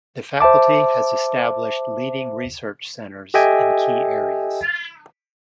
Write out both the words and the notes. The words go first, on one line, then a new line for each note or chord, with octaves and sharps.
The Faculty has established leading research centres in key areas.
C5 E5 A5 D6
G4 A4 D#5 E5 G5 G#5